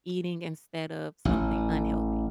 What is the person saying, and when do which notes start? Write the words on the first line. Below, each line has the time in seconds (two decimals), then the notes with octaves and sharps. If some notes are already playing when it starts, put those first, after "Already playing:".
eating instead of something unhealthy?
1.25 A1